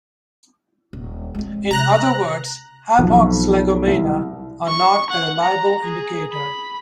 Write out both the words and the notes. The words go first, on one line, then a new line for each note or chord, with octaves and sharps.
In other words, "hapax legomena" are not a reliable indicator.
D#1
G#3 C4
C3 A#5 F#6 A#6
B1 F2
C2
C#6
F#5
A#5
G#4
B5